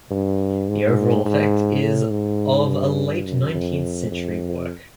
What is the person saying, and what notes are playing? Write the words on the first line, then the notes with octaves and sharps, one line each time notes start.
The overall effect is of a late-nineteenth-century work.
G2
G#2
G#2
A2
G#2
G2
F#2
F2
F2